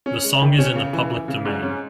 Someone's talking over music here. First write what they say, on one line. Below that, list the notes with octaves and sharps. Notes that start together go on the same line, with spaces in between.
The song is in the public domain.
C#4
G#3
D#3
C#4
C#3
E3
E3
C#3
G#2
C#4